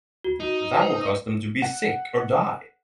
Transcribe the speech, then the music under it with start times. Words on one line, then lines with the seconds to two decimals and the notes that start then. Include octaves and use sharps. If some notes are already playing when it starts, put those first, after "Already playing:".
That would cause them to be sick or die.
0.24 F#4
0.40 D#4
0.79 B4 C5
1.62 F#5